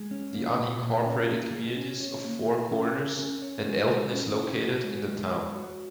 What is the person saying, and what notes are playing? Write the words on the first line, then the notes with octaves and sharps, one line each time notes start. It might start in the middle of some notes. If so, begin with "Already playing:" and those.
The unincorporated communities of Four Corners, and Elton is located in the town.
Already playing: G#3
C#4
A#3
A#2
A#2
C#4
A#3
G#4
C#4
C#5
A#3
G#4
C#4
A#4
C#4
C#5
G#3
A#4
C#4
C#5
F#4
G#3
G#3
C#5
F#4